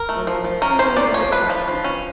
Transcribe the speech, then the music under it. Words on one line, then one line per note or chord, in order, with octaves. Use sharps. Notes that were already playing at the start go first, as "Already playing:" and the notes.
William quivered with excitement.
Already playing: A#4
A3
F3
F3
C#4 A#4
C#4 C5
C#4 D5
F3 C#5
F3 B4
F3
F3
C#4